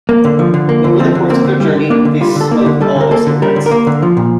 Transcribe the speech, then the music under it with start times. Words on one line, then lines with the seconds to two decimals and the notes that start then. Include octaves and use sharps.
Over the course of their journey, they smoke all their cigarettes.
0.09 A#3
0.25 D3
0.39 F3
0.54 D3
0.69 A#3
0.84 D3
0.99 F3 C4
1.15 D3
1.30 A#3 C4
1.45 D3
1.60 G3
1.75 D3
1.90 A#3 D4
2.05 D3
2.21 G3 F4
2.36 D3 A4
2.51 A#3
2.61 G4
2.66 D3
2.81 G3 A4
2.96 D3 A#4
3.11 A#3 A4
3.27 D3
3.42 G3 A#4
3.56 D3
3.66 A#4
3.71 A#3
3.87 D3
4.02 F3
4.17 A#2